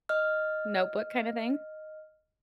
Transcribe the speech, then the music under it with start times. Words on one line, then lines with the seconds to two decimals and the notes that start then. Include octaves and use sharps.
notebook kinda thing?
0.09 D#5 F6